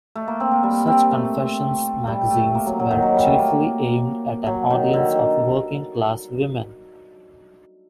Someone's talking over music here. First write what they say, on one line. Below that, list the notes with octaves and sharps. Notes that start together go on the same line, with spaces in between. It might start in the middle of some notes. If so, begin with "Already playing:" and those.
Such confessions magazines were chiefly aimed at an audience of working class women.
A3
A#3
C4
A#3
G3
C4
A3
G3
A3
A#3
F#3
F#3
D#3
F#3
G3
A3
A#3
F#3
D#3
D3
D#3